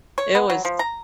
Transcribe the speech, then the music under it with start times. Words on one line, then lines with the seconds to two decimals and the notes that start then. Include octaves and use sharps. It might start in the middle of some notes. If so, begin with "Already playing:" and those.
it was
0.18 C#5
0.35 B3
0.50 F#3
0.65 F3
0.79 A#5